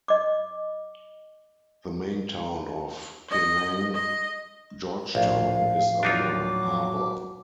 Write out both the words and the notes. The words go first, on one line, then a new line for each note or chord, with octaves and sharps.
The main town of Penang, George Town, is on a harbor.
D#5 D6
D#5
D#5
A#1 A2 F3 F5
F#3 D4 D#4 F4 D6